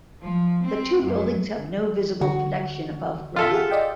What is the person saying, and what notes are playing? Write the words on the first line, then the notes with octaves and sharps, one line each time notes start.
The two buildings have no visible connection above ground.
F3
C4
F#2
D3 F#4
F4 A4 E5
G4 G#4 F#5
D5 D#5 G5